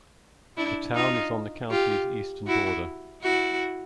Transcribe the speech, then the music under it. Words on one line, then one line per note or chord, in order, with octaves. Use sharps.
The town is on the county's eastern border.
D4 E4
D#4 F4
F4 G4
E4 F#4
E4 F#4